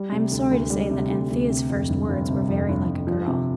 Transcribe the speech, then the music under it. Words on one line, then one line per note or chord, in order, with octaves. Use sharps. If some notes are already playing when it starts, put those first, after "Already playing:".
I am sorry to say that Anthea's first words were very like a girl.
Already playing: G3
C3
D2
D2
G3
C3
D2
D2
C3
F2
G1
G1
C3
F2
G1
G1
F3
C3